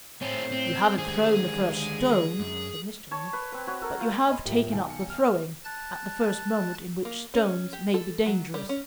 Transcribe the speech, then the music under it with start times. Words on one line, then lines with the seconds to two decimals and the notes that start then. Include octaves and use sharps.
"You haven't thrown the first stone," said Mr. Low; "but you have taken up the throwing at the first moment in which stones may be dangerous."
0.22 A2 C4 G#4 C5 C#5
0.52 C4
0.98 D3 D#3 G#3 G4 G#4 C5 G#5
2.39 F#2
3.11 C#5 A5 C#6
3.33 B4
3.52 C4 B4
3.67 C4 F#4 C#5
3.82 A4 A#4
4.00 F4 C5
4.31 D#5 G#5 B5 C6
4.45 A2 F4 G4 A#4 E5
4.69 B1 D#3 F5 G#5 A5
4.90 C#7
5.10 F6
5.65 A5 F#6 A6
7.05 A#3
7.34 C#4
7.73 G4
7.94 A4
8.26 F#3
8.54 G3
8.69 C#4